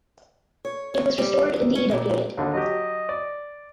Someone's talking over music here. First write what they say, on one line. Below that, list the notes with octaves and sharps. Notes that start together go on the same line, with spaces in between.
It was restored in the Edo period.
C#5
C#5
G3
D#2
C#4
A#2
D#2 D3 D#5
F#3 G4 D#5
D5